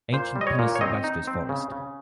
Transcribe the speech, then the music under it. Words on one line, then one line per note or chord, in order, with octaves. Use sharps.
Ancient "Pinus sylvestris" forest.
A#2 C5
G3
D#5
C#5
A#2
C#5
C4 D#5
D#4
C4
C#3
C#3